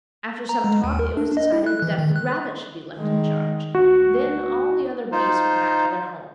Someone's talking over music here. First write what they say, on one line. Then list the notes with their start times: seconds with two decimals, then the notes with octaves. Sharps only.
After some talk it was decided that the rabbit should be left in charge; then all the other beasts went back to their homes.
0.49 A#5
0.64 G#3
0.84 D#2
0.99 A#4
1.17 D4
1.37 D#5
1.52 E4
1.66 F#6
1.82 E3
1.99 D#3
2.16 F#6
2.97 D#3 G#3
3.75 D2 F#4
5.12 D#4 F4 C5